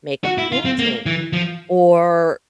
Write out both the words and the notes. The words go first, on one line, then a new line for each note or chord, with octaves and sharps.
make a painting, or
F#4
E4
F4
C4
A#3
E3
F3